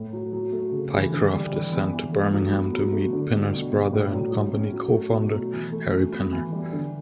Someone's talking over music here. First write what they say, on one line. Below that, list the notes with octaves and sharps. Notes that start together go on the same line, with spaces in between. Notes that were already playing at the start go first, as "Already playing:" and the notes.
Pycroft is sent to Birmingham to meet Pinner's brother and company co-founder, Harry Pinner.
Already playing: A2
F#3
F#3
A3
C#3
E3
D3
G3
E3
B3
E3
A3
F#3
B3
F#3
A3
D3
G3
B2
G3
A2
F#3
F#3
C#4
F#3
A3
B2
F#3
E3
A3
F#3
B3
E3
G3
D3